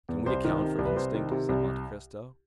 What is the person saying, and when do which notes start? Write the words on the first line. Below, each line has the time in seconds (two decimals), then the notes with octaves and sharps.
"Can we account for instinct?" said Monte Cristo.
0.09 E2
0.26 C2 C5
0.45 D#3
0.62 C3
0.79 C2
0.85 B4
0.96 C2 C5
1.14 D#3
1.32 C3
1.49 C2